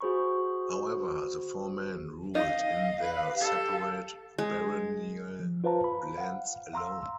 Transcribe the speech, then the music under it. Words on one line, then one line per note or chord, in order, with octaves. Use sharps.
However, the four men ruled in their separate baronial lands alone.
F#4 G#4 C5 B5 C#6
D#4 D#5 F5
B4
G4 A4
G#3
F3
F4 B4 C5 F5 A5 A#5
B5
F5 F#5
F5 A#5 C6 E6